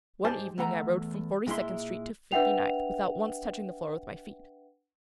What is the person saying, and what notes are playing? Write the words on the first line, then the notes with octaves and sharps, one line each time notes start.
One evening I rode from Forty-second Street to Fifty-ninth without once touching the floor with my feet.
G#2 G4 C5 G#5 A5
E2 A3 F#5 A#5
A#2 G#3 E4 E5 C6
D4 B4 E5 F#5 G5 F7